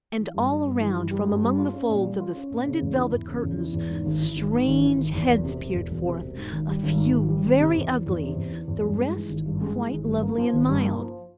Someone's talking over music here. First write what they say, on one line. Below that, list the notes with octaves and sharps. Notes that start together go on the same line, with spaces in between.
And all around, from among the folds of the splendid velvet curtains, strange heads peered forth; a few very ugly, the rest quite lovely and mild.
E3
G2
G3
G2
E3
G2
G3
G2
G3
F4
C#4
A#2
G3
F4
C#4
A#2
C#3
E2
E3
E2
C#3
E2
E3
E2
G#2
G#1
E3
G#1
G#2
G#1
E3
G#1
E2
E1
C3
E1
E2
E1
C3
E1
G#2
G#1
G3
G#1
G#2
G#1
G3
G#1
C3
E2
E3
E2
C3
E2
E3
E2
G2
G#3
E3
G#1
G2
G#3
E3
G#1
G2
A#3
F3
G#1
G2
A#3
F3